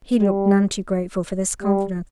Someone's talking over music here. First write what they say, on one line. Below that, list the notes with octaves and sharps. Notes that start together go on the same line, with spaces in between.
He looked none too grateful for this confidence.
G3
G3